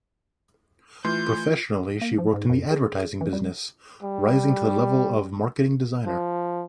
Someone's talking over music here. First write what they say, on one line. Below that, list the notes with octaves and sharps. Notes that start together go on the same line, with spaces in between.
Professionally she worked in the advertising business, rising to the level of marketing designer.
E3 A3 F4 C6 G6
A#3
F3
G#2
F#2
G#4
E3
G3
G3
F3